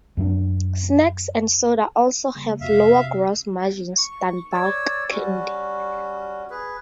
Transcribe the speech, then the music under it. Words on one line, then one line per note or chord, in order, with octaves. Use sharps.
Snacks and soda also have lower gross margins than bulk candy.
F#2 F#3 D4
C#3 G3 A#3
F2 C3 F#4 E5 F5
C3
C#6
C#5 D5 E6
G3 C#4 F#4
G#4 B4